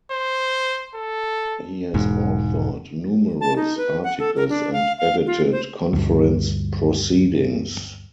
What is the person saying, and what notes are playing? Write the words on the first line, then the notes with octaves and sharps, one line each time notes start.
He has authored numerous articles and edited conference proceedings.
C5
A4
E1 G#2
A5
D#4
B4
F#5
A4
A#4
D4
F5
F5
F4
C5
D2 G2